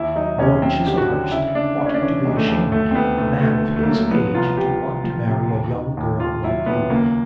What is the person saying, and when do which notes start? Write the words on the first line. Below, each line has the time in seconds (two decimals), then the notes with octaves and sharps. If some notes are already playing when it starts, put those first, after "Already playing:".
Lord Chiselhurst ought to be ashamed, a man of his age to want to marry a young girl like you.
Already playing: D#2 E4
0.16 F#3 D#4
0.38 D#2 C#4
0.62 F#3 C4
0.85 D3 G4
0.97 F#4
1.09 D3
1.31 C#3 E4
1.55 C#3 D4
1.79 C#3 D4
1.86 C#4
1.94 D4
2.02 E3 C#4
2.25 D#2 G#3
2.36 A3
2.48 D#2
2.71 D2 A3
2.91 C4
2.95 D2 B3
3.18 D2 A3
3.41 D2 A3
3.65 D2
3.76 A3
3.83 A#3
3.87 F#3 A3
4.11 F3 B3
4.34 C2 F4
4.57 C2 G4
4.81 C2
5.04 F3
5.27 C3
5.51 D#2
5.74 D#3
5.97 D#2
6.20 D#2 F4
6.44 F#3 E4
6.66 D#2 B3
6.90 C#2 A#3